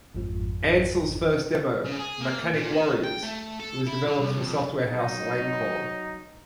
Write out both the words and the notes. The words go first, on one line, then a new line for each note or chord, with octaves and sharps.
Ancel's first demo, "Mechanic Warriors", was developed for software house Lankhor.
G#1 F2 G#2 F3
C#3
G#4
A#3
A#2
D#3
G5
A3
A4
E4
D3
C2
F2
F#3 D#4